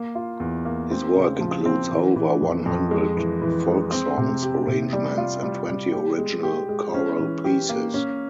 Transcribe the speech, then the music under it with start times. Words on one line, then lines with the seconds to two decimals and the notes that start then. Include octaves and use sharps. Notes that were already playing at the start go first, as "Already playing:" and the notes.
His work includes over one hundred folk songs arrangements and twenty original choral pieces.
Already playing: A#3
0.15 F4
0.40 E2
0.65 A#3
0.91 C4
1.16 C#3
1.40 F3
1.65 C4
1.91 E3
2.16 E3
2.41 F2
2.66 F2
2.91 G#3
3.17 E3
3.42 E3
3.68 G#3
3.92 C4
4.18 C3
4.43 G4
4.67 C3
4.93 G3
5.18 F4
5.43 G3
5.68 G3
5.93 G4
6.18 G#3
6.43 G4
6.69 G#3
6.94 C#4
7.19 E3
7.44 G4
7.69 A#3
7.94 C#4